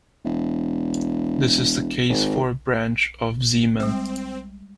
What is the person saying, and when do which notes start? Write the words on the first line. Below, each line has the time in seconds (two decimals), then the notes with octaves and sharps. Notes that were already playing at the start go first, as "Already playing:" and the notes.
This is the case for a branch of Zeeman.
0.25 E1
2.09 G#1
3.80 G3 G#3 C4